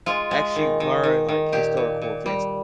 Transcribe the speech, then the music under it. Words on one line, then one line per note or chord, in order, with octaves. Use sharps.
actually learn, like, historical events
G#3 F4
G#3
D#3
D#3
D#3
D#3
A#2 G4
A#2
A#2
G3